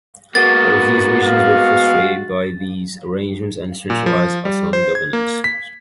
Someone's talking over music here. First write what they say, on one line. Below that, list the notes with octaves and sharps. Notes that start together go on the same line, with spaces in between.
All of these regions were frustrated by these arrangements and centralized Assam governance.
G#3 A#3 B3 F#4 A6
F5
A#2
F3
G3
C5
G#6
A#3
B6